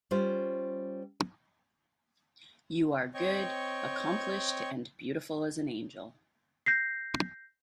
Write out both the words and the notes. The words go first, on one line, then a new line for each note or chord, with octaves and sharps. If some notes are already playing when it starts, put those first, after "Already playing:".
You are good, accomplished, and beautiful as an angel.
G3 C#4 F4 C5
C4 C#5 D#5 G5 C#6
G6 A#6 C7